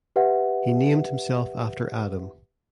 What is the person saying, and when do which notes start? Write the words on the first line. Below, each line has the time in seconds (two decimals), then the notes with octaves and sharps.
He named himself after Adam.
0.16 G4 B4 E5 F#5